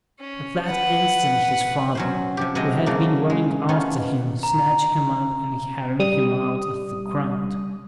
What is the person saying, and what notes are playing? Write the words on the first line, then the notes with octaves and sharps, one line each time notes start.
At that instant his father, who had been running after him, snatched him up and carried him out of the crowd.
C#4
B4 F#5
F#3 C#4 C5
C3 F3 G4
C3 F#3 G#3 D#5
C#3 F#3 A3 A#3
G#3
D#3 A3 B3 C#4 F4
A#5
G3 D#6